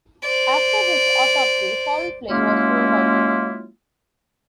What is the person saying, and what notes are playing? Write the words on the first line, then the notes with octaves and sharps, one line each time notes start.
After his autopsy, foul play was ruled out.
C5 D5
F#3 G#3 A#3 C#4 E4 F4